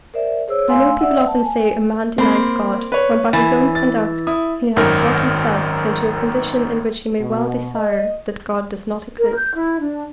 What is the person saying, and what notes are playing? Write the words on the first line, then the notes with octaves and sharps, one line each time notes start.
I know people often say, a man denies God when by his own conduct he has brought himself into a condition in which he may well desire that God does not exist.
A#4 C5 D5 E5
G#4 C5 C#5 E6
A3 F5 G#5 C6 E6
D5 E5 F#5 E6
A5
G#5
A#3 C4 B5
B4 C#5
E3 G#5 B5 A6
A6
E4 D#6
G#1 F#2 D#3 A#4
B2
D#5
A#4
G6
E4
D4